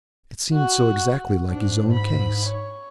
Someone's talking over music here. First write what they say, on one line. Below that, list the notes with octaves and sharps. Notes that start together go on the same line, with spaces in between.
It seemed so exactly like his own case.
F#4
G#2 D4
B5
C#5